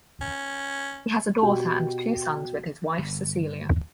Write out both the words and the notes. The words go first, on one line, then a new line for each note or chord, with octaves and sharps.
He has a daughter and two sons with his wife Cecilia.
C#4
B2 G4 G5
G1